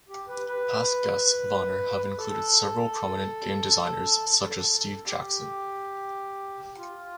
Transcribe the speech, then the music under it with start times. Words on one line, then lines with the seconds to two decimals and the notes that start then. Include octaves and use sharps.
Past guests of honor have included several prominent game designers, such as Steve Jackson.
0.09 G4
0.28 B4
0.47 B4
2.18 A4
4.48 A4
5.06 G4
6.78 F4